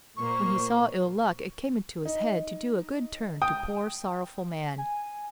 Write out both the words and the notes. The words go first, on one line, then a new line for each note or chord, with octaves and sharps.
When he saw Ill-Luck it came into his head to do a good turn to poor sorrowful man.
A#2 A#3 C5 C#6
D#4
G5 D#6
G#5